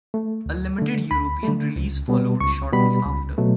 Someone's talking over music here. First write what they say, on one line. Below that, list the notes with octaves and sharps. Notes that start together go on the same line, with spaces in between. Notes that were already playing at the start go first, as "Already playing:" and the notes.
A limited European release followed shortly after.
A3
D2
D3 A3
D2 B5
D3 A3
C#2
B2 G3 B3
C#2 C#6
B2 G3 B3 B5
C#2
B2 F#3 A3